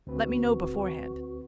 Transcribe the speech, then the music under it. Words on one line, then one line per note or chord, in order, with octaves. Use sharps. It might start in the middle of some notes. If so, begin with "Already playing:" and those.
Let me know beforehand....
D2 C4 F#4 B4